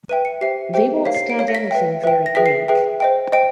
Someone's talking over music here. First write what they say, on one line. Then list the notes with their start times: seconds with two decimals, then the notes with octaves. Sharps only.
They won't stand anything very Greek.
0.09 B4 E5 G5 D#7
0.25 C#7
0.41 G4 C5 E5 G5 C7
0.73 G4 C5 E5 G5
1.05 A#4 C#5 F5 B6
1.15 C7
1.30 D7
1.39 A#4 C#5 F5
1.48 A#6
1.55 B6
1.71 B4 E5 G5
2.04 B4 E5 G5
2.26 A#6
2.35 G#4 B4 E5 G5 B6
2.46 C7
2.68 G#4 B4 E5 G5
3.00 C5 D#5 G5
3.32 C5 D#5 G5 D7